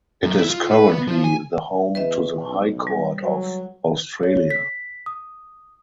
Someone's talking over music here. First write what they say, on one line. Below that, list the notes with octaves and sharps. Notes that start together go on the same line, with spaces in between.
It is currently the home to the High Court of Australia.
F#2
E4
F4
B4
B3
F3
G#5
E2 B4 D#5 E5
B1
G3
F#3
C#5
B6
D#6